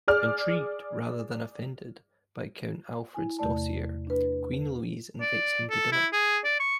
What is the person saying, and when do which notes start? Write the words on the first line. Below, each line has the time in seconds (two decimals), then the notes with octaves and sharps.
Intrigued rather than offended by Count Alfred's dossier, Queen Louise invites him to dinner.
0.08 G#4 D5 F6
3.14 E4 G#5
3.38 E2 C3 A3 D5 A5
4.07 D4 B4
5.21 D5
5.70 A4
5.92 E4
6.13 G#4
6.44 D5
6.60 C#6